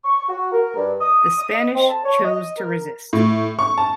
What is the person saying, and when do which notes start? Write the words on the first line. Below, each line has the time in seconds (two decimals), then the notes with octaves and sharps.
The Spanish chose to resist.
0.04 C#6
0.28 F#4
0.52 A#4
0.76 G2
1.00 D#6
1.38 D#6
1.53 D#5
1.75 C4
1.89 A5
2.04 C#5
2.23 D#5
2.56 A#4
3.13 A2
3.59 C#6
3.78 A5